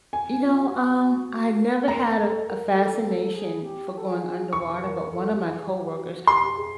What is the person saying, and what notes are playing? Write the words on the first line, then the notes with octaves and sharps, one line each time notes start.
You know, um, I never had a a fascination for going underwater, but one of my coworkers,
G#5
F4
G4
F#4
F#4
F#4
A#4
A#4 A#5
A4
A#4
A#4
A4
A4
G#4
G4
A4
G#4
C#6
A#4
A4
G4
G#4
G4
F#4
G4 C6
G4
G#4